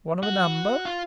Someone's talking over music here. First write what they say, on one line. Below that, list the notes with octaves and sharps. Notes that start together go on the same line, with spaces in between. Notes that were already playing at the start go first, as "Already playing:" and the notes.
One of a number?
F#4
F4